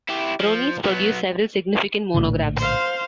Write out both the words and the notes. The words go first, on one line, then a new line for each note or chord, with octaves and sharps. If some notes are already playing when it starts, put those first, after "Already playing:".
Veronese produced several significant monographs.
E4 G4
F3
F#3 B3
A#1 A2 D3
C5 F5